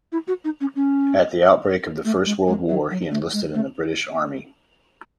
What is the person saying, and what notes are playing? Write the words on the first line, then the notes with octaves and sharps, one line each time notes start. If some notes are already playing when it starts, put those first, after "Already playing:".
At the outbreak of the First World War he enlisted in the British Army.
E4
F#4
D#4
C#4
C#4
A3
G#3
G#3
F#3
F#3
A3
G#3
A3